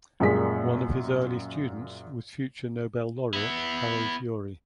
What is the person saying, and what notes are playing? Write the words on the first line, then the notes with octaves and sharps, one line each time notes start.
One of his early students was future Nobel laureate Harold Urey.
F#2 A#2 G3 G#3 G#4 B6
B3 E4